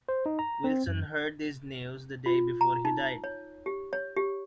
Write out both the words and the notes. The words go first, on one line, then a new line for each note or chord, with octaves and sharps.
Wilson heard this news the day before he died.
C5
D#4
A#5
C4
F#2
F4
A#5
D#4
C#5
G4
C#5
G4